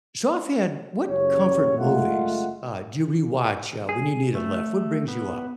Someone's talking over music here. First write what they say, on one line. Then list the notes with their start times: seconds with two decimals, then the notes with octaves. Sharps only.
So, off the end, what comfort movies, uh, do you rewatch, uh, when you need a lift? What brings you up?
1.07 F#1 C#3 G4 C#5
1.78 F#1 G#3 A3 F4 E5 F#5
3.89 G#4
4.35 A3
5.08 B3